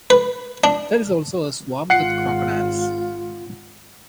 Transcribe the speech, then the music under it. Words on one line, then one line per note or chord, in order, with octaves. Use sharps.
There is also a swamp with crocodiles.
B4
D4
G#1 F4 F#5 C7 C#7